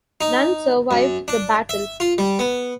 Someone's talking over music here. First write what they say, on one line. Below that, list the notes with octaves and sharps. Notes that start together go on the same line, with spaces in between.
None survived the battle.
D#4
F#2
D4
E5
F4
G3
B3